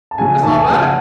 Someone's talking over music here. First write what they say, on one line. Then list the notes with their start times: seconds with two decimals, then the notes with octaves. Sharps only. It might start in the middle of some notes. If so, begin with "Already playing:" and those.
That's not bad."
0.11 A5
0.18 C#3 F#3 G#5
0.43 D#2 A5
0.58 G#5
0.69 C#3 F#3 A5
0.82 F#5